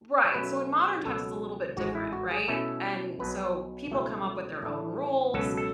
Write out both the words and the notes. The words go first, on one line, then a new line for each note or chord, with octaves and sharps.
Right, so, in modern times it's a little bit different, right, and so people come up with their own rules,
C#5
B2 F#3 A3 C#4 B4
C#2 B2 F#3 A4
A1 G#2 G#3 F#4
E4
F#4
G#4
B2 A3 C#4 E4 A4
B1 B2 F#3 B4
C#2 B2 F#3 A3 E4
A2 E3 A3 D4
C#2 B2 F#3 C#4 A4
A4